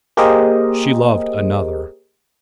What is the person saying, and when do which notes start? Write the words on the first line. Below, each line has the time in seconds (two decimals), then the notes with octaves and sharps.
She loved another.
0.17 A#3 G4 G#4 A#4 C5 D#5